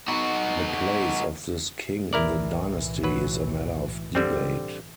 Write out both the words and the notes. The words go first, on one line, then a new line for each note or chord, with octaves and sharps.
The place of this king in the dynasty is a matter of debate.
D#4 F#4
B1 A2 E3 E4 A#4 D5
F#3 B4
D3 G3 C4